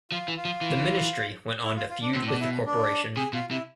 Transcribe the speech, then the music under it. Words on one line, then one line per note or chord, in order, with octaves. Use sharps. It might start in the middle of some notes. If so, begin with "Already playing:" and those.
The Ministry went on to feud with the Corporation.
F3 F4
E3
F4
F3
E3
E4
F4
F4
D4
B2 C4
A2
D4
B2
E4
D4
C3 G#4
B2 F4
C3 E4